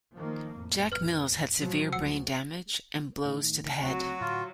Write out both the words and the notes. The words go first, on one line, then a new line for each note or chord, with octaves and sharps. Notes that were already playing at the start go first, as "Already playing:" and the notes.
Jack Mills had severe brain damage and blows to the head.
D#3 F3 A#3
F2 A2
B4 F6
A1 F3 F#3
D2 F#5 E6 C#7
A2 D#3
D2 C#3 F#3 C4 F#4
A2 D3 F4